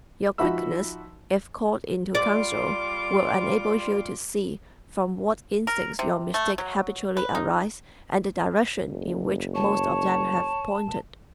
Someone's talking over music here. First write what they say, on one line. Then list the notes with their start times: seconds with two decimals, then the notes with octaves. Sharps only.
Your quickness, if called into counsel, will enable you to see from what instincts your mistakes habitually arise and the direction in which most of them have pointed.
0.38 F3 D#4 F#4 E5 B5 E6
2.15 G3 F4 D5 C6 D6
5.67 A#4
5.99 C3
6.34 A3
6.58 F#3
7.17 B4
7.35 D#4
8.87 F#1
9.55 C#5 A5